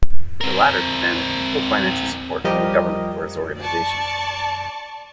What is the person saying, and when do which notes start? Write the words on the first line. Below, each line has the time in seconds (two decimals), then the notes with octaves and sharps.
The latter demanded equal financial support from the government for his organisation.
0.41 C4 A#4
2.44 F3 G3 G4 A#4 D#5
3.58 D5 A5 C#6